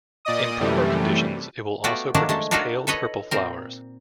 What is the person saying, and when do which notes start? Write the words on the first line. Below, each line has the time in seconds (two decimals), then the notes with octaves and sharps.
In proper conditions, it will also produce pale purple flowers.
0.25 A#2 D5 D#5 D#6
0.60 F#2 C3 E3 G3 A3
1.84 A3 B3 F4 F#4 D5 G5
2.14 D#3 F3 F#3 A3 A#3 D4
2.29 G#3 A3 A5
2.51 D4 D#4 F4 F#4 A4 A#4
2.87 A4 B4 C#5 D#5
3.31 A#2 C4 A#4